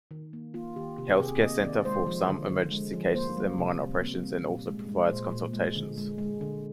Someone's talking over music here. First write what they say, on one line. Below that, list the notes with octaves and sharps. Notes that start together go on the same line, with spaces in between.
Healthcare center for some emergency cases and minor operations and also provides consultations.
D#3
A#3
A#3 F4
D#3 G4
C3 G4
G4
C3 G#4
A#3 D#5
D#3 D5
G#3 C5
F3
D3
D3
G#3
F3
A#3 C5
G3
C3
C3
A#3
G3
A#2
G#3
G#3
A#2 C5
A#2
G#3
D3
G#3
G#3
D3